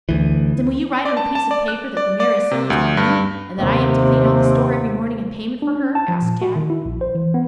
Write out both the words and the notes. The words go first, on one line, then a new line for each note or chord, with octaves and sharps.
"Then, will you write on a piece of paper that the mare is sold to me, and that I am to clean out the store every morning in payment for her?" asked Tad.
D2 E3
D5
A5
A5
D5
F#6
D5
D5
C3
D2
G2
D#2 C3
D4
C#4
A5
F3
A#2
F#4
D#3
E4
A#1
C5
E3
B3